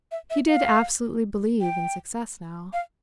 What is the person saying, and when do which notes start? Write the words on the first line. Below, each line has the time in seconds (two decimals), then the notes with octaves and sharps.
He did absolutely believe in success now.
0.12 E5
0.30 E5
0.49 F5
1.61 G5
2.73 F5